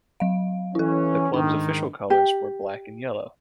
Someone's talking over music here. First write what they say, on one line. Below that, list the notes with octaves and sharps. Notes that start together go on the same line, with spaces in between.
The club's official colours were black and yellow.
F#3 F5
E3 C#4 E4 A4
G#2 D#3 D4
G4